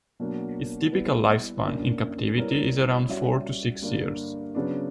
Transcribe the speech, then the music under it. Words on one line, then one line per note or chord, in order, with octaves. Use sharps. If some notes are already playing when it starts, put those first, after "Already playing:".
Its typical lifespan in captivity is around four to six years.
B2 F#3 A#3 D4
G3 B3 E4 B4
F#2 D3 A#3 D4
G3 B3 E4 A#4 C#5
G3 C#4 F#4 C#5 E5
G2 D3 A#3 D4
C#3 F#3 B3 D4